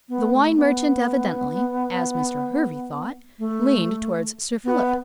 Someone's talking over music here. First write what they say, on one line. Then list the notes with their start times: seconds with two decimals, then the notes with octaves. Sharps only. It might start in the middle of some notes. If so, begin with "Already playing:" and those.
The wine-merchant evidently, as Mr. Hervey thought, leaned towards Sir Philip.
0.09 B3
0.33 A3
0.57 B3
3.39 A3
4.64 B3